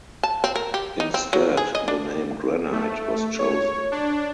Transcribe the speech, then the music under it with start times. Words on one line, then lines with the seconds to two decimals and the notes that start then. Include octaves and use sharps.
Instead, the name "Granite" was chosen.
0.23 A5
0.44 C4
0.56 A#4
0.74 G4
1.00 D#4
1.14 C4
1.33 F#3
1.57 G#4
1.75 D#5
1.88 D4
2.72 A3
3.39 C#5
3.92 D4